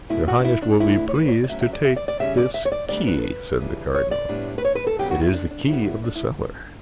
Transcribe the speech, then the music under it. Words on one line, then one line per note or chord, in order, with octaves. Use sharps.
"Your highness will be pleased to take this key," said the cardinal; "it is the key of the cellar."
E2 B2 A3 E4
F#4
D4
E4
D4
D2 D3 A3 D4 E4
C#5
B4
C#5
D5
D5
D2 D3 F#3 C#4 E5
E5
D5
E5
D5
D5
C#3 G3 C#4 E5
D5
E5
C#5
D5
D2 D3 G3 D4 D5
B4
A4
B4
C#3 E3 G3 D4
C#5
D5
A2 G3 B3 D4
B4
C#5
B4
A4
F#2 C#3 G3 B3 G4
F#4
E4
D4
D4
C#3 G3 B3 E4
E4
D4
E4